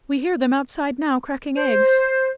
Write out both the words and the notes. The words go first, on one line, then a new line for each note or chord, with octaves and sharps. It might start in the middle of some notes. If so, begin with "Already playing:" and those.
We hear them outside now cracking eggs.
C5